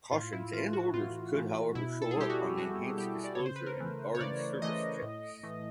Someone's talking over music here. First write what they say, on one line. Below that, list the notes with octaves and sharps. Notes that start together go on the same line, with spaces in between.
Cautions and orders could however show up on enhanced Disclosure and Barring Service checks.
A2 F4
E4
E3 A3 F4
F#4
A2 F4
E3 A3
B2 E4
A4
G#4
G3 G4
F#4
B2 F#4
G3 G4
D5
C#3 C#5
C5
B4
A#4
E3 A3
C#5
C#3 D5
E3 A3 D#5
A2
E3 A3